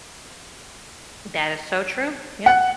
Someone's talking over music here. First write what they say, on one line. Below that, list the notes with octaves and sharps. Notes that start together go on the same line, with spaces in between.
That is so true, yep.
F#5